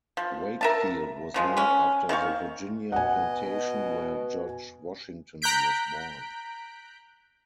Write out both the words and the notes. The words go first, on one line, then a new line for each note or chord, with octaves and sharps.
Wakefield was named after the Virginia plantation where George Washington was born.
F3
A#4 E5 A5
C#3 F3 G#3
G#3 C#4
D#3 C4 F5 C#6
B2 D#5 F#5 G#5
A#5 F#6 G6 B6 D7